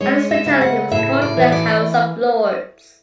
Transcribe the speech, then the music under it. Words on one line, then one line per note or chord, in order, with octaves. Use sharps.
On his return he was called to the House of Lords.
G#3 C#5
E5
C#3
F#5
A2 E5
D5
E3
D5